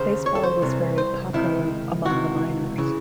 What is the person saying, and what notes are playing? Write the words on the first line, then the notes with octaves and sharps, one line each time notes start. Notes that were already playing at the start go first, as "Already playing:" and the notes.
Baseball was very popular among the miners.
Already playing: D#2 C#3 C5
C#5
A4
C5
C2 C3 E3
C5
C#2 C3 D#3 E4
C#2 C3 E3 F#4
C#3 E3